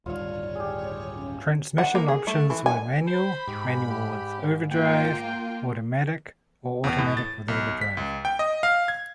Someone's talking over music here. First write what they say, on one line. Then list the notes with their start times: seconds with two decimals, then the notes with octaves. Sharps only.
Transmission options were manual, manual with overdrive, automatic, or automatic with overdrive.
0.06 D1 G2 D#3 F4 C#5 D5 F5
0.55 G4 G#4
1.15 C#4
1.78 F#5
1.95 A#3
2.08 G#4
2.27 A3
2.50 E3
2.66 G#5
3.08 C5 B5
3.48 G#2 G4
3.90 G4
4.71 A#3 F4 A#4 G5
6.84 E2
6.98 A2
7.17 A6
7.48 B1
7.81 B6
7.97 C#2
8.25 G5
8.39 D#5
8.63 F5
8.88 G#6